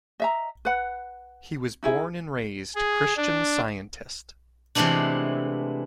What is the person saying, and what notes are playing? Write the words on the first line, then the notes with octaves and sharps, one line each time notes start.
He was born and raised Christian Scientist.
D#5 E5 A#5
B4 F#5
D#4 E4 G#4 E5
G#4
D4
C3 E3 G#3 A3 B3 D4